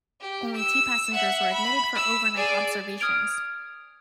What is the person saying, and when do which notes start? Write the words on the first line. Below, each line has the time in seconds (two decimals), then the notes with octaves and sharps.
Only two passengers were admitted for overnight observations.
0.21 G4
0.56 E6
1.14 E5 F#5
1.53 B5
1.95 E6
2.36 G#4 D5
3.00 D#6 F6 G#6 D7 F7